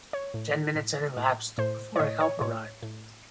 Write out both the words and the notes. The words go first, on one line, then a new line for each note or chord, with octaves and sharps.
Ten minutes had elapsed before help arrived.
C#5
A2
A2
A2
A2 C5
C#5
A2 D#5
C#5
A2 C#5
A2